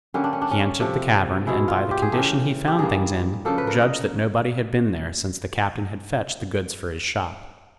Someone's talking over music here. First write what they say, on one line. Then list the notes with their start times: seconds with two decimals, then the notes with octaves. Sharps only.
He entered the cavern and by the condition he found things in, judged that nobody had been there since the captain had fetched the goods for his shop.
0.14 D3 G3 A#3 C#4
0.24 D4
0.33 C#4
0.41 D4
0.51 C#4
0.80 C3 F3 A3
1.47 B2 G#3 E4
1.68 F4
1.91 G4
2.02 G#4
2.12 C#3 E3 A3 G4
2.68 G4
2.78 G2 E3 G3 A#3 G#4
3.45 C#3 F3 A#3 A4
3.58 B4
3.67 A#4
3.81 D#5